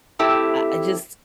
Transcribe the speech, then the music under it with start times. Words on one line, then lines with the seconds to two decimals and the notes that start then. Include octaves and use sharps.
I I just
0.19 A3 C4 E4 G4